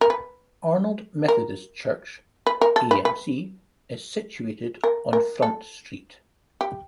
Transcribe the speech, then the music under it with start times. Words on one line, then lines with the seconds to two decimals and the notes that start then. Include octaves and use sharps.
Arnold Methodist Church - 'amc' - is situated on Front Street.
0.01 A#4
0.10 B4
1.28 A#4
2.46 B4
2.61 A#4
2.76 A4
2.91 B4
3.05 B4
4.84 A#4
5.13 A#4
5.42 A4
6.61 G4